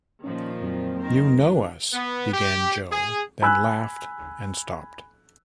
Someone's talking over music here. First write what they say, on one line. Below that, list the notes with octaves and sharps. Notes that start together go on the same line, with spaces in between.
"You know us," began Jo, then laughed, and stopped.
A#2 D#3 F3 C#4
F2 F#3 A#3 C4
D#3 A#4 C5
E3 D4
B3
G4
G#4
G#5 B5 E6 F#6